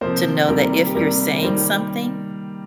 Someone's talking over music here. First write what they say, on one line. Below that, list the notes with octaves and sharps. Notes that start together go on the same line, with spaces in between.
to know that if you're saying something,
C3 F3 A#3 C5
C3 D#3 G3 A#3 A#4
G4
C3 G3 A#3 A#4
A#4
D#3 G3 A#3 C5